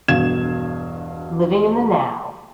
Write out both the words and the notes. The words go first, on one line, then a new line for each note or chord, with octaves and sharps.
Living in the now.
E1 G2 B2 F5 G#6 E7